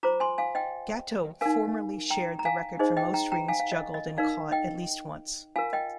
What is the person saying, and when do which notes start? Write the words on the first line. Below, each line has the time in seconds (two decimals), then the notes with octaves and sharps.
Gatto formerly shared the record for most rings juggled and caught at least once.
0.03 F4 C5 A#5 D6
0.20 G#5 C6
0.38 F5 G#5
0.55 D#5 G5
1.41 D#4 A#4 F5 G#5
2.10 G5 A#5
2.39 A#5
2.45 F5 G#5
2.79 D#4 G#4 C5 D#5
2.97 D#5 G5
3.14 G5 A#5
3.32 G5 A#5
3.48 F5 G#5
3.60 F5
3.72 D#5
3.94 D#5
4.18 D#4 A#4 D5 F5
4.52 D#5 G5
5.56 F4 A#4 F5 G#5
5.73 D#5 G5